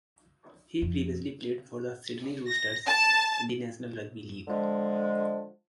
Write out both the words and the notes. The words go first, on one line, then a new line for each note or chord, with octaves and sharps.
He previously played for the Sydney Roosters in the National Rugby League.
F2
A#6
A5
D3 F3 G#3